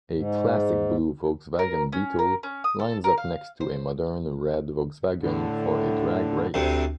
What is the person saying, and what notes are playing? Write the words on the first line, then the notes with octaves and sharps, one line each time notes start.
A classic blue Volkswagen Beetle lines up next to a modern red Volkswagen for a drag race.
G#2
A#4
C#4
A#4
C#4
D#6
A4
A#4
F5
C5
A2 D3
D2 C3